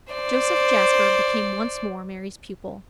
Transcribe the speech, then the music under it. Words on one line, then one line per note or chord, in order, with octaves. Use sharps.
Joseph Jasper became once more Mary's pupil.
C5 D5